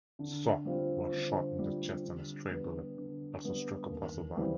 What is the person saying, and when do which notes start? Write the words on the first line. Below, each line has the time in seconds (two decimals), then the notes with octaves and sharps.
Soh was shot in the chest and a stray bullet also struck a passerby.
0.19 D3
0.65 G3 C4 F4
1.12 D3
1.58 G3 C4 F4
2.04 D3
2.51 G3 B3
2.97 D3
3.44 G3 B3
3.90 D#2
4.36 C#3 E3 G3 C4